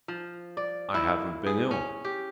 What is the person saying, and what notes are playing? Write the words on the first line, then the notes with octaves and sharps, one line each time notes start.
"I haven't been ill."
F3
D5
E4
G#4
C#4
G4